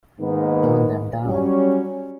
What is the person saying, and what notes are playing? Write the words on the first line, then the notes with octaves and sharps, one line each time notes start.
Turn them down!
G#2 D#3 A#3 B3 D#4
F#3 G3 C#4